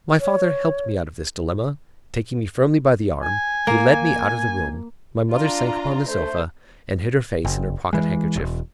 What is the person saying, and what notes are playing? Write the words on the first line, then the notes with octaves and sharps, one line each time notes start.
My father helped me out of this dilemma; taking me firmly by the arm, he led me out of the room: my mother sank upon the sofa, and hid her face in her pocket-handkerchief.
C#5
G#5
A#3
D4 F4 A#5
A3 C5
F#1
E3 G#3
E1